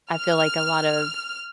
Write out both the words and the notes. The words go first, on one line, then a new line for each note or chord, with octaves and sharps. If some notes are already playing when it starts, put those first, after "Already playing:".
I feel like, a lot of
F6